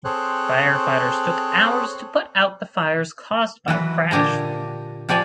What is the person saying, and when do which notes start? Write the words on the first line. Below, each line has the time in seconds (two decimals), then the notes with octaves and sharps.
Firefighters took hours to put out the fires caused by the crash.
0.05 C4 G#4 A4 C5 C#5 F#6
3.68 E3 F#3 B4
4.11 A#2 D3 G4 G#5 A#5
5.09 F3 G4 D5 G#5